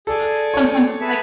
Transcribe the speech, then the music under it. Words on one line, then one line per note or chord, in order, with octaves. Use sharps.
sometimes, like
G#4 A4 D5 G#5
C#5
G#4 B4 E5 A5